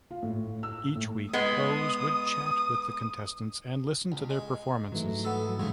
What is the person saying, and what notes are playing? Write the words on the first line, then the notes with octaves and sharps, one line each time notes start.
Each week, Bowes would chat with the contestants and listen to their performances.
F4
A2
E6
A2
G#3 B3 D#6
C#2
G#3
G#2 E3 F#3 A3
B3 A4
G#2 C#3 G#3 A3